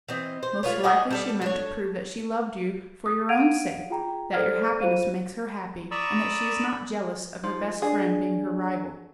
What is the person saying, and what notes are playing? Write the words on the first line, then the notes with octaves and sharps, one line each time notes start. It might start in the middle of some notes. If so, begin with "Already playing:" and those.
Most likely she meant to prove that she loved you for your own sake, that your happiness makes her happy, and that she is not jealous of her best friend being her rival.
E3 C4 D#5
C5
A3 F4 B4 C#5
C#4 F#4 G#4 D#5
G3 A4 D5
D4 A4 C#5
D#6
F5 F#5 G#6 D7 D#7 F7
F4 G#4 G5 A#5
A4 C5 D5 F6 G#6
F4 C5 F5 D#7
D5 A#5 B5 C#6 D#6 E6
F3 D#4
D4 G#4 D5